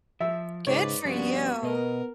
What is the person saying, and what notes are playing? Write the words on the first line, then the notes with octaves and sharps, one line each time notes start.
Good for you.
F3 E5
G#2 C#3 B4 C#5 D5
G2 F3 B3 C#4 F#4 D5
B2 B3 A#4 D#5